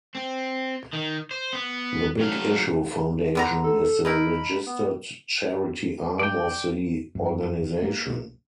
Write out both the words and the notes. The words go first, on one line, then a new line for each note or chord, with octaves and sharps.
The Big Issue Foundation is the registered charity arm of the organisation.
C4
D#3
C5
B3
F#3 F5
D3 B3 A#5
A4
D#4 E4 A#4 B5
B3
D5 G5
F#2
A#3